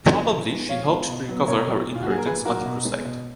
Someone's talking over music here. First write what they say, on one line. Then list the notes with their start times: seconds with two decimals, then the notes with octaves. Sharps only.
Probably she hoped to recover her inheritance on the crusade.
0.10 F#3 B3
0.30 F2
0.50 D#3 G#3 B3
0.69 F2 C#5 F5
0.89 D#3 G#3 B3
1.08 B2
1.28 F#3 B3
1.48 B2 A#4 C#5
1.67 F#3 B3
1.87 A#2
1.95 F4
2.03 F#4
2.07 F#3 A#3 G#4
2.18 A#4
2.26 A#2 G#4 B4
2.45 F#3 A#3 F#4 A#4
2.66 B2
2.85 G#3 B3
3.05 B2